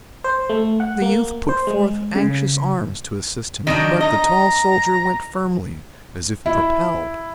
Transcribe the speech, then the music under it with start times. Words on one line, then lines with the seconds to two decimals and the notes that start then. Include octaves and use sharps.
The youth put forth anxious arms to assist him, but the tall soldier went firmly as if propelled.
0.24 C5
0.49 A3
0.80 F#5
1.02 A#3
1.49 C5
1.67 G#3
2.15 C#3
3.67 D#3 F#3 D4 D#5
4.00 D#5 A#5
6.46 E4